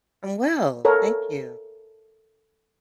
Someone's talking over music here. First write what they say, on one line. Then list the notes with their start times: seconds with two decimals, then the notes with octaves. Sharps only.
I'm well, thank you.
0.85 A4 A#4 C#5